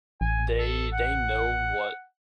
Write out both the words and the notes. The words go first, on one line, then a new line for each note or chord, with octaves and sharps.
they they know what
A1 G#5
A4
F#5